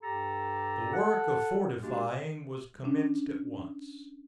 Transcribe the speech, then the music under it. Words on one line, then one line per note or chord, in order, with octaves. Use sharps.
The work of fortifying was commenced at once.
G2 G4 A4 A#5
A4 F#5
G#3 A#3 D4 F#4 G4
C#4 D4